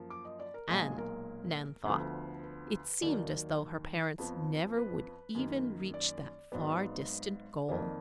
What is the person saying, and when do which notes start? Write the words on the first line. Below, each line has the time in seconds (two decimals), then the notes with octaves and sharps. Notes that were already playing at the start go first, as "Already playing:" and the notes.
And, Nan thought, it seemed as though her parents never would even reach that far distant goal.
Already playing: F#2 F3 A#3
0.10 D6
0.25 D#5
0.40 D5
0.54 A#4
0.68 B1 A#2 G#3 G#4
0.98 A#4
1.85 D2 D3 F3 B3
2.43 B4
3.02 D#2 D#3 F#3 A#3 D5
4.18 F2 F3 B3
4.77 B4
5.35 F#2 D#3 A#3
5.94 D5
6.52 G#1 G#2 F#3 B3 D5
7.69 F2 D#3 A#3 D5